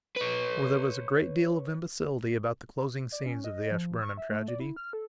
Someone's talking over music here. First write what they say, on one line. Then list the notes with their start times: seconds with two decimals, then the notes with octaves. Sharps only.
For there was a great deal of imbecility about the closing scenes of the Ashburnham tragedy.
0.17 B4 C#5
3.12 D5
3.26 C#4
3.44 D#5
3.71 F3
4.02 C#6
4.17 E5
4.30 A3
4.48 D5
4.60 E4
4.76 F6
4.93 A4